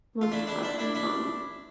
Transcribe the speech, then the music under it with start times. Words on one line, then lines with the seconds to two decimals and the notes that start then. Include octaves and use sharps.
Want to have some fun.
0.21 F4
0.32 D4 E4
0.47 D4 E4
0.63 D4 E4
0.78 D4 E4
0.95 D4 E4